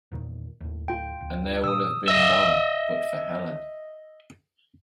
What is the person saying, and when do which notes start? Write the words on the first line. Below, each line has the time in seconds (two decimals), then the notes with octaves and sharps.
And there would have been none but for Helene.
0.12 E2 A#2 D#3
0.60 D#2 A2
0.88 D1 A2 F4 G5
1.20 D1
1.64 A#2 D#3 D#6 E6
2.08 D#5 E5